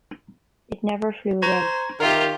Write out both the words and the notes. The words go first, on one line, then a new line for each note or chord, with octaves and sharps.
It never flew again.
C5 A#5 C#6 G#6
D#3 F4 G4 A#4 E5